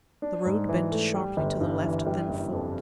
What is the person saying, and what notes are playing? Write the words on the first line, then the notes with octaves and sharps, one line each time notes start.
The road bent sharply to the left then forked.
D4
G#2
E3
A3
G3
G1
G2
E3
G3
F#1
F2